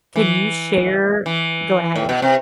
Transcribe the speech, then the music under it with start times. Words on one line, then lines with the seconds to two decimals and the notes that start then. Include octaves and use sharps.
Can you share Go ahead.
0.16 E3
1.26 E3
1.96 A2
2.09 B2
2.22 C3